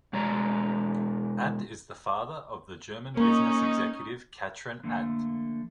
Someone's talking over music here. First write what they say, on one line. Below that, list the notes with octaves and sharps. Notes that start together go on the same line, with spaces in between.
Adt is the father of the German business executive Katrin Adt.
B2 G#3 C#5 D5 A#5
A#3 C#4 D#4
D3 F3 A3 A#3 A4